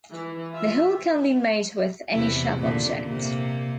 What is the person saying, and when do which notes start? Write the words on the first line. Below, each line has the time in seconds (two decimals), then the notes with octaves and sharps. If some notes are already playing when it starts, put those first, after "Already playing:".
The hole can be made with any sharp object.
0.12 E3
0.52 F4 E5
2.12 E2 C3 E4
2.58 A#2 D3
3.02 C3 A#3